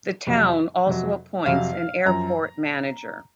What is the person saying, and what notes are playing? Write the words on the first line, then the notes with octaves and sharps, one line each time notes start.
The town also appoints an Airport Manager.
F2 C3 F#3
F2 C3 F#3
F2 C3 F#3 F5
F#2 F3 A#5